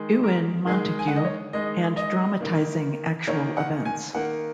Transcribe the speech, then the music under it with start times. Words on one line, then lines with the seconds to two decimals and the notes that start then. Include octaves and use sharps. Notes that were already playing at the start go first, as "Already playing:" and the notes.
Ewen Montagu and dramatising actual events.
Already playing: D#3 G#3
0.23 A#4
0.66 D#3 G#3 G#4
0.99 G#5
1.08 F#5
1.16 D#5
1.25 C#5
1.53 D#3 G#3 D#5
1.97 D#5
2.40 D#3 A#3
3.27 D#3 A#3 C#5
3.57 F#5
3.85 G#5
4.15 D#3 A#3 F#5